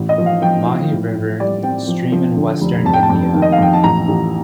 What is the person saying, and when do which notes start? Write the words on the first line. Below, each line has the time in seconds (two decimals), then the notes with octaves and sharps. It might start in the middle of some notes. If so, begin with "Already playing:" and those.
Mahi River, stream in western India.
Already playing: A1
0.09 D#5
0.18 F3
0.26 F5
0.42 F3 G5
0.66 F3
0.91 A2
1.15 A2
1.40 G3 D5
1.63 C4 G5
1.88 F3
2.12 F3
2.37 D3
2.61 F1
2.85 F2 A5
2.93 G5
3.03 A5
3.10 F2
3.34 D#3
3.42 D#5
3.52 F5
3.58 F2 G5
3.73 A5
3.83 A1 A#5
4.08 A1